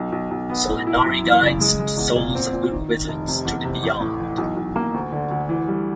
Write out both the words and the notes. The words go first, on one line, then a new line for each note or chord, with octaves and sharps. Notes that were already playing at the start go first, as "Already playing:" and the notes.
Solinari guides the souls of good wizards to the Beyond.
Already playing: B1
B1
B1
B3
A2
E4
F#2
E3
C#3
G#3
G#3
E2
A#2
C4
A#2
D#3
D#3
F1
C3
E2
C3
A1
A2
E3
B1
B1
A#3
D2
D3
D2
E3
G3